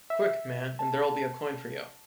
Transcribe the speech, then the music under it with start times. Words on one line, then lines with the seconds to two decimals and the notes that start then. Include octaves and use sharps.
Quick, man, and there'll be a coin for you.
0.10 E5
0.79 A5
1.02 A5